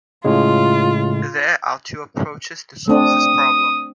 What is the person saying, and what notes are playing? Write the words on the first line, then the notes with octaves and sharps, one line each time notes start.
There are two approaches to solve this problem.
A2 C#3 G#3 F4
A3 C4 D4 D#6